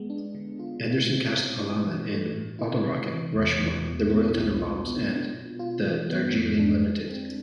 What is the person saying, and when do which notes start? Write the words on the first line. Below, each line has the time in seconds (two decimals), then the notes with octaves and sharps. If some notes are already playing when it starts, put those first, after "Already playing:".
Anderson cast Pallana in "Bottle Rocket", "Rushmore", "The Royal Tenenbaums", and "The Darjeeling Limited".
Already playing: G#3 B3
0.10 D4
0.35 D3
0.59 F4
0.84 G#3
1.10 C4
1.35 B2
1.59 E4
1.84 E3
2.09 A3
2.34 A2
2.59 E4
2.84 C3
3.09 E3
3.34 E2
3.59 E2
3.84 B2
4.09 B3
4.34 C2
4.59 F4
4.84 B3
5.09 D4
5.34 B2
5.59 F4
5.84 E3
6.09 B3
6.35 F2
6.59 D4
6.84 G#3
7.09 C4